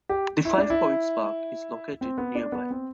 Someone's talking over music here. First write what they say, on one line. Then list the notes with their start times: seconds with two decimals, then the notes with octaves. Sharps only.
The Five Points Park is located nearby.
0.09 G4
0.45 E4
0.58 D4
0.70 E4
2.01 C4
2.18 B3
2.35 D4
2.52 B3
2.70 C4